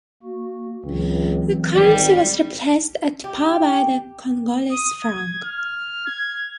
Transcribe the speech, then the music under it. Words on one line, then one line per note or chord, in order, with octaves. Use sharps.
The currency was replaced at par by the Congolese franc.
A#3 F#4
C#2 E3 F#3 C4
G#1 D5 G5
G4
D#6
G#6
F6
G#6